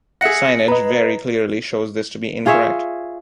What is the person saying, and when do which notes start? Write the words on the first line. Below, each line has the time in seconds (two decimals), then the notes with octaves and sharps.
Signage very clearly shows this to be incorrect.
0.21 G#4 E5 F#5 A#6 C#7
0.68 B4 D#5 A#5
2.46 F4 G#4 C#5 E5